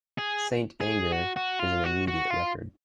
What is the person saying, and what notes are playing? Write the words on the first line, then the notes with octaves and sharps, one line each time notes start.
"St. Anger" is an immediate record.
G#4
G#4
F#4
F#4
F4
F#4
F#4
F4